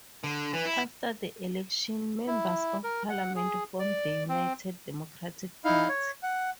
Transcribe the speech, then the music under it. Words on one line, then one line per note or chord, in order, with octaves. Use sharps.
After the election members of parliament formed the United Democratic Party.
D3
E3
E4
E4
A#4
F#5
G#4
D5
C4
D#4 E4 F5
C#5
F#5